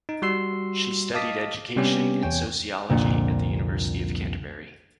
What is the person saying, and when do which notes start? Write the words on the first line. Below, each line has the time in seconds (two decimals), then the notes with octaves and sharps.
She studied education and sociology at the University of Canterbury.
0.09 D#4
0.22 G3 F#4 C6 E6 C7
1.14 D#5 F5 A5 D6 D#6 B6
1.76 C3 G3 B3 C#4 G4
2.23 E2 C#5 G5 G#5
2.89 C2 F2 A#2 D3